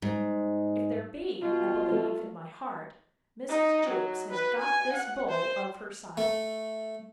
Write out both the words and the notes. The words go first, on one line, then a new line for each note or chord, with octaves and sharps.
If there be, I believe, in my heart, Mrs. Jewkes has got this bull of her side.
G#2
B2 F4
A3
D#4
F#3
B4
G#5
F#5
C5
A3